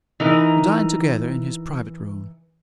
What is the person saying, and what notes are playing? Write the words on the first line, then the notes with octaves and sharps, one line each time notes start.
We dined together in his private room.
E3 D#4 A#4